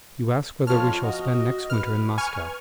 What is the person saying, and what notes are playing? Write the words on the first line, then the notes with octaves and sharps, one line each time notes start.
You ask whether we shall spend next winter in Moscow.
F2 F4 C#5 A5 F6
F#4 D#5
B4 F6
G#5 C#6 F6